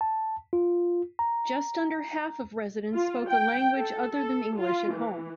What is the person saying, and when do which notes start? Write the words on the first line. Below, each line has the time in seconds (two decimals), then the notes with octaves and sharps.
Just under half of residents spoke a language other than English at home.
0.01 A5
0.53 F4
1.19 A#5
2.94 F4
3.29 G5
3.76 A4
4.13 A4
4.58 F4
4.92 E3